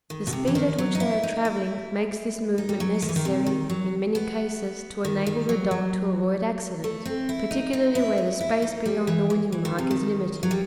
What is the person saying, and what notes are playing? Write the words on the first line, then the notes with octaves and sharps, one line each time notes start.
The speed at which they are travelling makes this movement necessary in many cases to enable the dog to avoid accident, particularly where the space beyond the winning mark is limited.
D#3
B2
C3
E3
D#3
F#3
D#4
E4
D#4
E4
D#4
G3
F#3
D#3
E3
D#3
C3
D#3
F#3
B3
D#3
D#3
F#3
F#3
A3
C4
E4
D#4
D#4
E4
D#4
E4
D#4
G3
E3
E3
E3
D#3
C3
D#3
F#3
G3